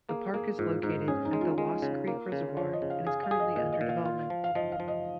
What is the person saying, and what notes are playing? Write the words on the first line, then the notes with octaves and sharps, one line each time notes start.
The park is located at the Lost Creek Reservoir and is currently under development.
A#3 G#4
A#3 G#4
G#2 F4
G#2 D#4
C#4 G#4
D#4
G#3
F4
G#3
C#3
A#3
C#3
F3 C#5
D#5
C#3
F5
G#4 F5
F5
G#4
D#5
A#2 D#5
D#5
A#2
F5
F4
F3
F5
F3 D#5
F5
F3
D#5